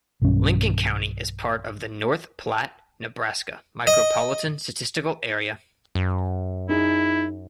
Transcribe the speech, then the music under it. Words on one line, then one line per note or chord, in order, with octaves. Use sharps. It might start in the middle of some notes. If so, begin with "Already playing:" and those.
Lincoln County is part of the North Platte, Nebraska Micropolitan Statistical Area.
B1 G2 D#3 C#4
D#5
F#2
D#4 E4 G#4